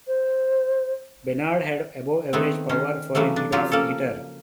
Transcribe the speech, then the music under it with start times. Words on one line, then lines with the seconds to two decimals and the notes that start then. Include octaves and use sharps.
Benard had above-average power for a leadoff hitter.
0.08 C5
2.33 D#3 A3 B3 C4
2.69 D#3 C#4 C5
3.15 C#3 E3 F#3 G3 A3
3.36 D4
3.52 C#3 F3 F#3 C4 F4 G4
3.72 A#3 C#4 A4